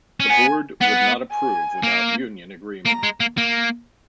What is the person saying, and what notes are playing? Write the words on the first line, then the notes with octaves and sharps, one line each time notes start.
The Board would not approve without union agreement.
C#4
B3 G#5
B3 F#5
G#5
A#3
A#3 A#5
G#3
A#3
A#3